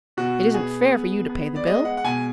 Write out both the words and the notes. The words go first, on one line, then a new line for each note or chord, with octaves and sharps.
It isn't fair for you to pay the bill.
B2 F#4
B3 G#4
B3
B3
D5
G#3 D#5
F#5
F#5
B2 G#5